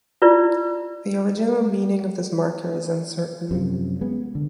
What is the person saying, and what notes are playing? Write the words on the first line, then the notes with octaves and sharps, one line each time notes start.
The original meaning of this marker is uncertain.
E4 F4 B4 D5
F#2 C3 F3
G#3 B3
D3